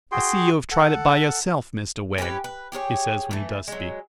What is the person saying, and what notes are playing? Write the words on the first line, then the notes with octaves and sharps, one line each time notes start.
'I see you have tried it by yourself, Mr Wegg,' he says when he does speak.
F#4 G#4 G5 C6
A4 F#5
C#4 E4 G4 B4
B4
G4 G#4 A#4 C#5
E3 A3
F#3 G#3